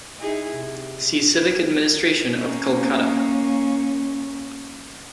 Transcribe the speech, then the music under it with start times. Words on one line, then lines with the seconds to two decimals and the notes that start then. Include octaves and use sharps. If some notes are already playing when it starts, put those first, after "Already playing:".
See Civic administration of Kolkata.
0.18 D#4 E4 G#4
0.53 C3
2.37 A#3 C#4